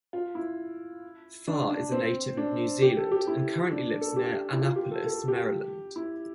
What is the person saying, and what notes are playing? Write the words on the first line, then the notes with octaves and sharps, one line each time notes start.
Farr is a native of New Zealand and currently lives near Annapolis, Maryland.
F4
E4
D4
D4
C4
D4
G4
A4
G4
E4
D4
A4
G4
E4
F4
G4
A4
A4
G4
E4